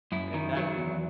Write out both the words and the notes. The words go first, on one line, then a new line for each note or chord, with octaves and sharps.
And that it
F#2 E4
D#3
F#3
E2